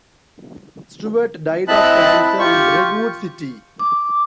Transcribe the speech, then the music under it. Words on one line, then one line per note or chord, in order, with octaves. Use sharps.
Stuart died of cancer in Redwood City.
C4 E4 D#5 A5 B5 F#6
F4 G4 C#6
D6